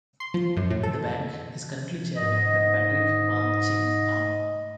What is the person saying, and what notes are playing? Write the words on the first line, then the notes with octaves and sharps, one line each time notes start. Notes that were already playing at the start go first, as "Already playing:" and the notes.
The bank is currently chaired by Patrick Ma Ching Hang.
C6
F3
F#2
A2
A4
G#2 D#5